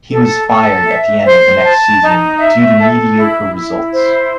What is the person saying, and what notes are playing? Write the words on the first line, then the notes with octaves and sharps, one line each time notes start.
He was fired at the end of the next season due to mediocre results.
A4
A4
E5
C5
A5
D#4
E5
A4
E4
E4
C5